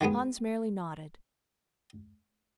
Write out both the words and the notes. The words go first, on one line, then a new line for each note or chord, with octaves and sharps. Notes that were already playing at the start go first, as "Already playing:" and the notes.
Hans merely nodded.
D#3 F#3 G#3 B3